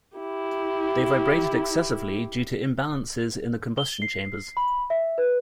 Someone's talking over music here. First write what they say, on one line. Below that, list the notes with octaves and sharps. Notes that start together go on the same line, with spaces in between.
They vibrated excessively due to imbalances in the combustion chambers.
E4 G4
G7
C7
B5
E5
B4